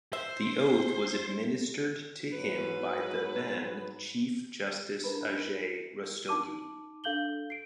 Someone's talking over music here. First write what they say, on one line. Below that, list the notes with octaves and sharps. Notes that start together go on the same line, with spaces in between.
The oath was administered to him by the then Chief Justice Ajay Rastogi.
C5 E5
G#2 F#3 B4
D4 E4 F4 A#4 B4 B5
D#4 A5 D6 D#7
D4 A4 F5 G6 F#7 G7
C7 D7